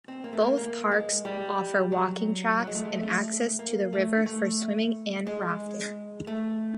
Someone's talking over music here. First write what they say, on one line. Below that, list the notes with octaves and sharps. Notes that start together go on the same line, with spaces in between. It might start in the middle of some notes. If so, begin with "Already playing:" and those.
Both parks offer walking tracks, and access to the river for swimming and rafting.
C4
A#3
A3
A#3
A#3
G#3
G3
F#3
F#3
G#3
A3
G#3
A3
A#3
A3
A3
G#3
A3